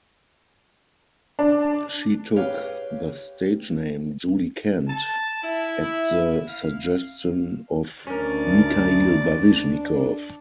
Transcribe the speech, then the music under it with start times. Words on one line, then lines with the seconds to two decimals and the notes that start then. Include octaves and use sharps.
She took the stage name Julie Kent at the suggestion of Mikhail Baryshnikov.
1.39 D4
2.36 G4 G#4 B4 C#5 F5
4.88 A5
5.42 E4
6.47 F5
8.07 D2 C#4 D4 A#4 D5